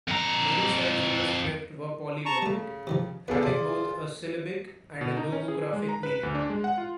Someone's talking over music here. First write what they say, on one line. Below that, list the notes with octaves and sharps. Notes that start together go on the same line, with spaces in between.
Many signs in the script were polyvalent, having both a syllabic and logographic meaning.
F2 A#5
A5 A#5 C#6
C#3 G3 A3
C3 D#3 F3
D#3 B3 C#4 G#4 A4 B4 D5
C3 F4 G#4 D5
B2
D#4
C#4
G#4
G#3
A#5
B4
D2
D4
G#3
F#5
F4